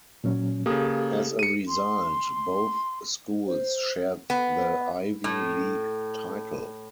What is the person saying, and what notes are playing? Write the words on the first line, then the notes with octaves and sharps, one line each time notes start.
As a result, both schools shared the Ivy League title.
A#2 F#3 C#4
C#3 A#3 G4 A4 D#6
C#7 D#7
C6
C5
B3
A2